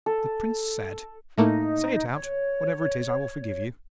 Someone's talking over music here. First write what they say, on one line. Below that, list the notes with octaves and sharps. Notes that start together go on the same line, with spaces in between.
The Prince said, 'Say it out; whatever it is I will forgive you.'
A4
A2 A3 A#3 D#4
C#5